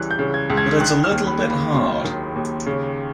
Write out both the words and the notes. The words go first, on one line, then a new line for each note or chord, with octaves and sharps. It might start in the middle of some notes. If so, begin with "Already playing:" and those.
But it's a little bit hard.
Already playing: C#2 C#3 E3 G3 F#6
G6
C#3
G#6
C#2
G#6
D#3 F#6
F6
D#2
B5
A#3
B5
F#3 C6
D#3
D#2
C#3